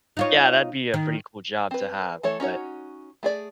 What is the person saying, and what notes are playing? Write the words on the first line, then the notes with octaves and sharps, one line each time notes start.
Yeah, that'd be a pretty cool job to have, but
D#4 F4 C#5
D#3
C4 B4
E3 A3 A4 C#5
C#4 D#4 F#4 C#5
A3 G#4 D5